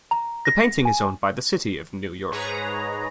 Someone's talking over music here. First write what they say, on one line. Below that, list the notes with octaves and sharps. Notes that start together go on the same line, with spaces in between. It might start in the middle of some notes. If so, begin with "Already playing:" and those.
The painting is owned by the City of New York.
A#5
A#6
G#5
G#2 G#4 B4 C#5 A#5